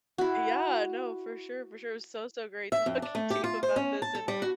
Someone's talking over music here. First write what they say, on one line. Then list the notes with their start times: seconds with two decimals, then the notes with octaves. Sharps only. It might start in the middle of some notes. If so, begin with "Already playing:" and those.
Yeah, no, for sure, for sure, so, so great talking to you about this and
0.18 E4 F#4
2.72 E5
2.86 F2
3.02 D4
3.15 A3
3.30 G4
3.44 F4
3.63 C5
3.76 C#4
4.02 A5
4.15 A4
4.28 G3
4.42 F#4